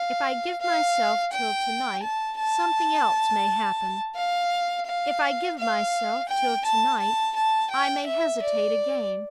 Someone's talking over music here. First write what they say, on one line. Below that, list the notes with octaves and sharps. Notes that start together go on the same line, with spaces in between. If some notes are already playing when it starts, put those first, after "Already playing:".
If I give myself till to-night, something else may happen. If I give myself till to-night, I may hesitate again.
Already playing: F5
F5
G5
A5
A5
F5
F5
F5
G5
A5
A5
A5
G5
E5
D5